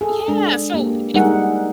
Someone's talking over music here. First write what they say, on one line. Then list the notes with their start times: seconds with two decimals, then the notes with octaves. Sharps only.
Yeah. So if
0.01 G#4 A4
0.28 G#3 D4
0.74 A#3 G4
1.14 G3 G#3 D#4 G#4 A#4 F#5